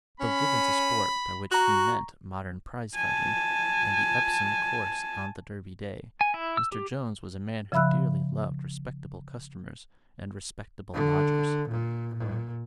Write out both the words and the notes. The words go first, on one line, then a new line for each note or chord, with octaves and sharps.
But though given to sport, by which he meant modern prize-fighting and the Epsom course on the Derby day, Mr. Jones was a man who dearly loved respectable customers and respectable lodgers.
C#4 B5
F#4 A#5 C#6
G#5 A5
G#5
E4
E6
G4
C#3 F3 E5 B5 E6 F#6
D3
A#2
A#2